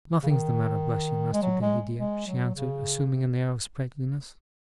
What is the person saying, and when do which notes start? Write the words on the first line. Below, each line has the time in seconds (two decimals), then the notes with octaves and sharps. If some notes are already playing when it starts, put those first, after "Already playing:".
'Nothing's the matter, bless you, Master Davy dear!' she answered, assuming an air of sprightliness.
0.23 C#3
0.29 D#3
1.33 G#3
1.42 F#3
1.61 G#3
1.99 G#3
2.27 F#3
2.55 C#3